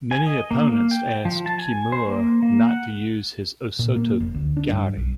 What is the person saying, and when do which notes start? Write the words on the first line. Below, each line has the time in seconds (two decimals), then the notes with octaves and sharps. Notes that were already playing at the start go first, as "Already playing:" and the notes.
Many opponents asked Kimura not to use his osoto gari.
0.11 G#5
0.26 D#5
0.51 A#3
0.69 A#3
0.91 G5
1.25 F3
1.46 A5
1.58 G#5
1.92 C5
2.07 A#3
2.43 A#3
2.69 F#5
3.79 A#2
3.96 A#3
4.20 F1
4.34 D2
4.57 D4
4.70 G2
4.97 B1